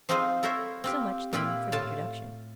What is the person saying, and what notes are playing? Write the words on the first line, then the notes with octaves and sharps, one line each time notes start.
So much, then, for the introduction.
F3 C4 D#4 F4 G#4 C5
E4 A4 A#4 C5 C#5 E5
C4 F4 G4
A#2 E4 F4 G4 B5
A2 F4 A5